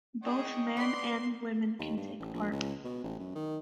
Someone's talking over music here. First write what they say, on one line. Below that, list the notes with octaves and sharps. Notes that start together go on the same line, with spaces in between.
Both men and women can take part.
D4 G#4 D#5 G5 C#6
B3 D5 C6 D6
D#2
G2
A1
A#1
C#2
B2
A1
F#2
D#3